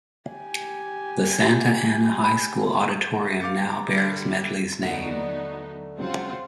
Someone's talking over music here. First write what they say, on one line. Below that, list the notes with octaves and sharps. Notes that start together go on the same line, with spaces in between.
The Santa Ana High School auditorium now bears Medley's name.
G4 G#5
B5
F5 D6 G6 A6 C#7
A#5
D3 G3
D#2 D3 F#3 A3 B3 D#4 F#4 F#5
C#2 G2 F#3 C4 F4 F#5